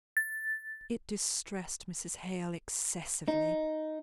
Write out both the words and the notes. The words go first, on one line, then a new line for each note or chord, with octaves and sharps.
It distressed Mrs. Hale excessively.
A6
D#4